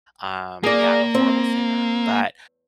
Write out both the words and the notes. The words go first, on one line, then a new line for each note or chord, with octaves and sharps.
um, yeah I'm a horrible singer. But
A#3 G#4 D5
C4